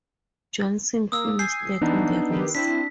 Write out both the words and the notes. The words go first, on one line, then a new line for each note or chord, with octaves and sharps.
Johnson finished third in the race.
A#3 D#6 E6
G#5 G6 C7
E3 B3 D4 D#4
D#3 G4 B4
C4 D4 E4 B6